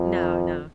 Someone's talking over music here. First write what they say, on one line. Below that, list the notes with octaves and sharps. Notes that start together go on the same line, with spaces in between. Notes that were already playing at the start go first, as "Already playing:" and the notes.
No, no.
Already playing: F2